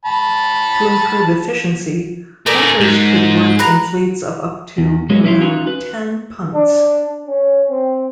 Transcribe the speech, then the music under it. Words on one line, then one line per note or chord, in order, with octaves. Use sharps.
To improve efficiency, hunters could work in fleets of up to around ten punts.
A5 B5
A3 G#4 A#4 D5
G#2
A#5 B5 F#6
E2
F#3 G#3 A#3 B3 C#4 F#4
F#3 C#4 E4 G4 F5 C6
C#4 D#4 F4 F#4
B4
D4
C#4
C4